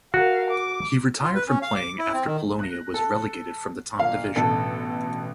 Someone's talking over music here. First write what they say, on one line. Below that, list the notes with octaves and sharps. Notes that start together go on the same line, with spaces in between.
He retired from playing after Polonia was relegated from the top division.
F#4 A#4 F5
D6
F4
B4
C#4
F5
D6
E4
C4
D#3
F#6 A#6
A4
G1 A#2 F5
A1 B2 D3 A4